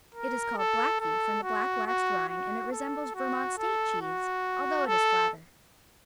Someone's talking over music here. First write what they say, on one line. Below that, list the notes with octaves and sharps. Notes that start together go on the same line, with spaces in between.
It is called Blackie from the black-waxed rind and it resembles Vermont State cheese, although it is flatter.
A#4
A4
A4
F#4
F#4
F#4
A4
F#4
A4
F#4
A4